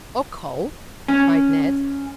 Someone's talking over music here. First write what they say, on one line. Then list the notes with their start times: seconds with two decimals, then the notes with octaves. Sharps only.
"Or coal," cried Ned.
1.08 C#4